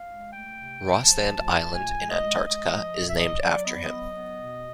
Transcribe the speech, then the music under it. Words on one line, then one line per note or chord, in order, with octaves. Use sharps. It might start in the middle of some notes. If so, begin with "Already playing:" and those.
Rostand Island in Antarctica is named after him.
Already playing: F5
G#3
A3 G5
C3
F3
F3 A5
D2
A3
A#2 G#5
G#3
D#5
G#3
G#3 D#5
F3
A#2
E5
F#3 D#5
F#3 D5
B3 D#5
D5
F#3 D#5
B3
B2